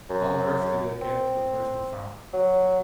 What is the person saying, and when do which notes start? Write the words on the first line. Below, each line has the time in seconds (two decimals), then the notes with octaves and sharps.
How on earth did they get to the place where found?
0.10 F#2
1.01 C4
2.33 F#3